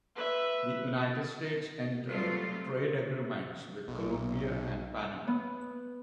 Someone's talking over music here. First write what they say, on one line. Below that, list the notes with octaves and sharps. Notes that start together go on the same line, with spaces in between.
The United States entered trade agreements with Colombia and Panama.
B4 E5
F#3 G3 A3 C4 F4
B1
B3